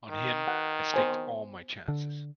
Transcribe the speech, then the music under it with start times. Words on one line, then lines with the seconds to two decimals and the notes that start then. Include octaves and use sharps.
On him I staked all my chances.
0.10 D#3
0.48 F#5
0.94 B3 C5 G#5
1.88 D3